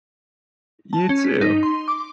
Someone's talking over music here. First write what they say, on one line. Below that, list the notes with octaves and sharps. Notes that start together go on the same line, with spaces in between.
You, too.
A5
C#4
B6
D#4
C6
D6